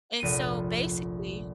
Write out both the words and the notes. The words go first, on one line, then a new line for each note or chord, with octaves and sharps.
And, so, basically
F1 A#1 D7 D#7